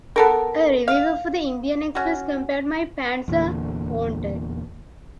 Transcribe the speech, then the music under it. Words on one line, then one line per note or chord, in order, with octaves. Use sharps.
A reviewer for the Indian Express compared My Pants are Haunted!
B3 A4 A#4
F5
C#4 F#4
E2 A#2 D3